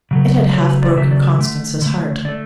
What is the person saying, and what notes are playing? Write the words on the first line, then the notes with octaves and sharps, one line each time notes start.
It had half broken Constance's heart.
C#3 F#3 A3
C#3 F#3 A3 C#5
B4
D5
C#3 F#3 A3 E5
D5
D3 A3
D3 A3
D3 A3 D5